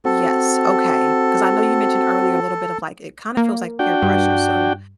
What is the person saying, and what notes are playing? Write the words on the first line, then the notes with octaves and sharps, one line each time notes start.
Yes. Okay, 'cause I know you mentioned earlier a little bit of, like it kinda feels like peer pressure so,
C4 F#4 A4
A#3
D4 F#4 G5
G2